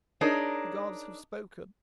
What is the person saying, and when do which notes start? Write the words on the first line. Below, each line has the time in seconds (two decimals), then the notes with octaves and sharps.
The gods have spoken.
0.21 D4 D#4 G#4 A#4 C#5 D#5